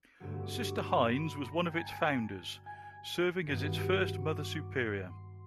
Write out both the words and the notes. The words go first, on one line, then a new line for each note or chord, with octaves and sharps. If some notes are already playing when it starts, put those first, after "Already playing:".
Sister Hynes was one of its founders, serving as its first mother superior.
G2 D3 F#3 A3 C4 E6
D6
C#6
C6
B5
A#5
G5
G#5
A5
G#5
G2 D#3 F#3 B3
C#6
D6
C6